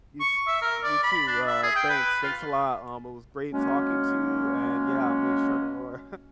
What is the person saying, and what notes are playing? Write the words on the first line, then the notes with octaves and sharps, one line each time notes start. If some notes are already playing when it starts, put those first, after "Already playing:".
you t you too, uh, thanks thanks a lot, um, it was great talking to you and yeah, I'll make sure to roar.
C#6
E5
A#4
D5
B5
D4
E5
G#4
G5
B4
F4
F#3 G#3 A#3 C#4